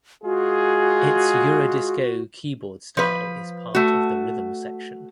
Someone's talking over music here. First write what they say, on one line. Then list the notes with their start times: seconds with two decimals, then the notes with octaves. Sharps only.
Its Eurodisco keyboard style is part of the rhythm section.
0.24 G#3 F4 F#4 G#4
2.97 F3 B4
3.75 A3 F#4